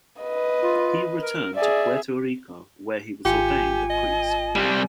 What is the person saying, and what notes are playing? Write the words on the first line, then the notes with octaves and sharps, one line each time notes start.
He returned to Puerto Rico where he was ordained a priest.
B4 D#5
F4
A#4
G#4 D5 E5
G#1 F4 G4 G#5 C#7
D#5
C3 G3